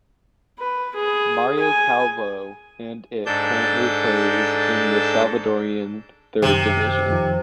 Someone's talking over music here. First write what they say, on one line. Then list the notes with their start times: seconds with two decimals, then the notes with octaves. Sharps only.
Mario Calvo and it currently plays in the Salvadoran Third Division.
0.59 B4
0.95 G#4
1.60 G#5
3.26 G#2 D4 A4 A5 G6
6.42 F#2 C3 D#3
7.09 F2 D#3 F3